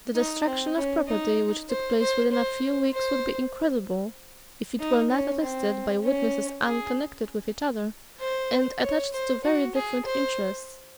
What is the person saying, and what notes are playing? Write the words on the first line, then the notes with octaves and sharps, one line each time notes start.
The destruction of property which took place within a few weeks would be incredible, if it were not attested by witnesses unconnected with each other and attached to very different interests.
D#4
C4
C#4
D#4
C5
C5
C5
C5
D#4
C#4
C4
C#4
G#4
C5
C#5
C5
F#4
G#4
C5